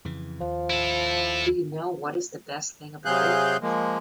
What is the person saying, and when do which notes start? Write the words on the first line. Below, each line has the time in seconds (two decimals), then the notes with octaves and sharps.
Do you know what is the best thing about it?
0.05 F2 C#3 E3
0.40 D#2 F3
0.70 E4 A4
3.05 C3 F#3 G#4 F5 F#6 G6
3.61 F3 G#3 A#3